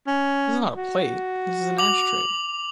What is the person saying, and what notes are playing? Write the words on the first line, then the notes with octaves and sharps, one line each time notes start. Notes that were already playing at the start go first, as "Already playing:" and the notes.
This is not a plate! This is an ashtray.
C#4
F#4
D6 F7 F#7